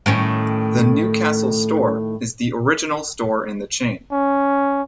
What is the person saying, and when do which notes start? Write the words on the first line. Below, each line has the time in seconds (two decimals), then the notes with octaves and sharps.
The Newcastle store is the original store in the chain.
0.06 A2 D#3 C#4
4.12 C#4